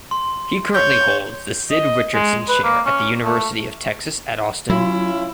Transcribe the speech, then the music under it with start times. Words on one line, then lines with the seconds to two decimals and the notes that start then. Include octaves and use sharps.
He currently holds the Sid Richardson Chair at the University of Texas at Austin.
0.11 C6
0.74 C#5 G6
1.71 D#5
2.15 G#3
2.49 B4
2.64 A#3
2.86 C#4
3.24 A3
4.70 F#3 C#4 E4 F4